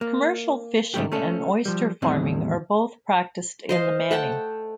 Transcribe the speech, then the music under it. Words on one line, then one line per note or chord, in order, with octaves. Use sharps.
Commercial fishing and oyster farming are both practiced in the Manning.
A#3
G#2 C#3 G3 A3 G4
A3 C#4 A4
F3 G3
E2 A2 D#3 G3 C4 D#5
C5 D#5 F5
A3 F#5 G5 A5